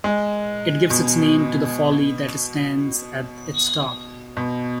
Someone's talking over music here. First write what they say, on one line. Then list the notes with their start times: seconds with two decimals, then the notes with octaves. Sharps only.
It gives its name to the folly that stands at its top.
0.04 G#3
0.90 B2
4.37 B2